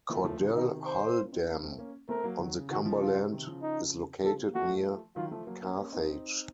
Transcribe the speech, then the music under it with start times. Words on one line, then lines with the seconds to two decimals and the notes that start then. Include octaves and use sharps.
Cordell Hull Dam on the Cumberland is located near Carthage.
0.10 F3 A3
0.24 F3 A3
0.40 C#3 F3
0.55 C3 D#3 D#4
0.86 C5
1.17 A#3 C#4
1.32 C4 D#4
1.48 A#3 C#4
1.63 A3 C4
1.78 A#3 C#4
2.09 A3 C4 A#4
2.24 F#3 A#3
2.39 D#3 F#3
2.55 C#3
2.70 C3 D#3 F#4
2.85 C#3 F3
3.01 F4
3.32 C3 D#3
3.47 C#3 F3
3.62 D#4
4.23 C#3 F3 A4
4.39 C4
4.48 A#3
4.55 F3 A3 F#4
5.16 D#3 F#3 F4
5.31 F3 A3
5.46 F#3 A#3
5.62 A#3 C#4
5.77 A#3 C#4
5.93 C4 D#4